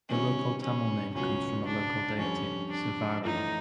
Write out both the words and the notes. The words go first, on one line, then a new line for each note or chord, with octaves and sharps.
The local Tamil name comes from a local deity, "Servarayan".
C3 D#3 G3 B3 C#4 D#4
C#4
C#2 B2 F#3 C#4
D4
F2 D3 G3 C#4
D4
A1 A2 F3 A3 D#4